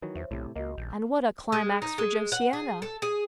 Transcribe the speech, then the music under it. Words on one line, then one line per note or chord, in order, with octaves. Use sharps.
And what a climax for Josiana!
D#3 E3 F#3
E2 C5 C#5 E5
B1 A2 C3
C#2 A#3 F#4 A#4 D#5
D#1 A#1 G6 A6
G#3
D#4
G#3
F#5
G#4
A4
G#4